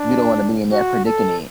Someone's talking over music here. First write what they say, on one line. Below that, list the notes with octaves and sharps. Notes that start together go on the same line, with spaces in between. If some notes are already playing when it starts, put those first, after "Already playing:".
You don't wanna be in that predicament.
Already playing: D4
F#4
A4